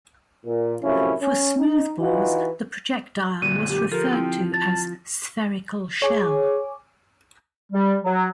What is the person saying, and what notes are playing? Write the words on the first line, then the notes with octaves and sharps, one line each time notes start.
For smoothbores, the projectile was referred to as "spherical shell".
A#2
F#2 A2 C3 F3 C#4 E4
C#4
D#4
E3 D#4 F4 F#4
F#2 A#2 D3 D#7
G4
F3 G4 A4 A#4
C4 E4 G5
A5 A6
G#4 C#5 G#5 D6
G3
F#3